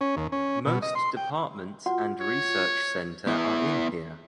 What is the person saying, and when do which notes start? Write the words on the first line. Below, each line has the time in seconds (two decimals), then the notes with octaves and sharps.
Most departments and research center are in here.
0.01 C#4
0.17 D#2
0.32 C#4
0.66 B2
0.82 D#5
0.95 C6
1.17 G5
1.86 F4 F#4 F#5
2.20 C#5
3.27 B3 E4